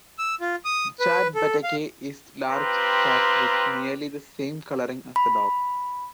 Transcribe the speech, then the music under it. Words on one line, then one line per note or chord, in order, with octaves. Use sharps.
The "chat Bateke" is large cat with nearly the same coloring as the dog.
E6
F4
D#6
B4
A4
F5
C4 F4 G4 B4 A#5
B5